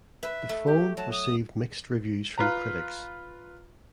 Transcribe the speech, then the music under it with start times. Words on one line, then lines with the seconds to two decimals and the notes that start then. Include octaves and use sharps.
The phone received mixed reviews from critics.
0.23 B4 E5
0.49 A3
0.67 G4
0.97 F#3 A5
1.12 D#6
2.38 F4 B4 A#5